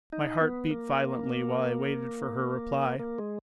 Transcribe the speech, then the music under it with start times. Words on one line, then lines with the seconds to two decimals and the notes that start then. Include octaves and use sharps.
My heart beat violently while I waited for her reply.
0.13 D#4
0.41 B3
0.70 A#3
2.99 A#3
3.18 G#3